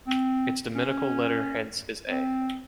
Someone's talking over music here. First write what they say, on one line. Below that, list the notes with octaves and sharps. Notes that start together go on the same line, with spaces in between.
Its dominical letter hence is A.
C4
C#4
C4